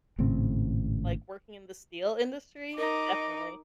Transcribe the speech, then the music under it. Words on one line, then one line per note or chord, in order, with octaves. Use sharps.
like, working in the steel industry. Definitely.
G#1 A2 C#3 C4
D#4 A#4 D#5 D6